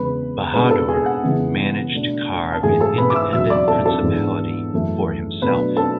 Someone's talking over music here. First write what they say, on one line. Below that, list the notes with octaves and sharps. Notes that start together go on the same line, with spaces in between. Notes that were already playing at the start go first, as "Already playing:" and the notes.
Bahadur managed to carve an independent principality for himself.
Already playing: E2 C#3 G#3 B4 B5
B2 G#3 D4 B4 B5
A4 A5
G#4 G#5
F#5
C#3 E3 G#3 B3
B2 A3 D4
A5
G#2 E3 A3 G#4 G#5
A4 A5
B4 B5
D6
E5 E6
E2 B2 F#3 E5 E6
D5 D6
A4 A5
A4 A5
G#2 E3 B3 D4
F#2 E3 A3
B2 F#3 A3 D4 B4 B5
A4 A5